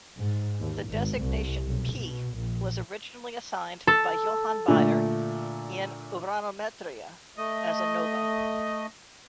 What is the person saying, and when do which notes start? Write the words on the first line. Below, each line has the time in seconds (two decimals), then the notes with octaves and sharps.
The designation "P" was originally assigned by Johann Bayer in "Uranometria" as a nova.
0.18 G#2
0.60 D#2
0.88 G#1
1.17 C2
1.68 B1
1.98 B2
2.38 A#1
3.87 A4
4.68 A#2 D3 A3
7.37 A3 D#5